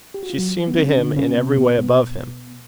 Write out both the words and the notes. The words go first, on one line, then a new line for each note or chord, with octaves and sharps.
She seemed to him in every way above him.
G4
F#4
F4
F#3 F#4
B3
C4
C#4
D3 D4
C#3 C#4
B3
C3 C4
B2 B3
B2 B3